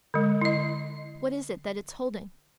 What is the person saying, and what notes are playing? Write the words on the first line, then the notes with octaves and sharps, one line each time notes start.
"What is it that it's holding?"
D3 G#3
E4 D#5